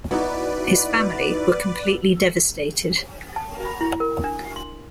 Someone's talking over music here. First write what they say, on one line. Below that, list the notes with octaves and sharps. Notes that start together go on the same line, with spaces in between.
His family were completely devastated.
B3 D#4 E4 F#4 B4 D5
A5
B5
E4
A#4
D4
C6